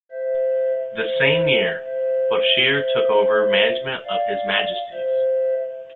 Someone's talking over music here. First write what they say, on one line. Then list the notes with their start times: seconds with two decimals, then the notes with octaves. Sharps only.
The same year, Bourchier took over management of His Majesty's.
0.11 C5 E5
0.99 C5 E5
1.86 C5 E5
2.73 C5 E5
4.05 D5 F5
4.92 C5 E5